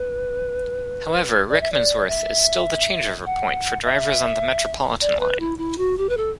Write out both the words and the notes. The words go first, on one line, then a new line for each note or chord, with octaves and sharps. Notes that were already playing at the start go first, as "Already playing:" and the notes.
However, Rickmansworth is still the changeover point for drivers on the Metropolitan line.
Already playing: B4
D5
E5
D5
E5
F#5
E5
D5
B4
E4
E4
F#4
G4
B4
A4